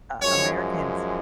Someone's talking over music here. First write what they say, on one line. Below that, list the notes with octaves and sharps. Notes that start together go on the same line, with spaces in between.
uh, Americans
F#2 F3 G#3 C#5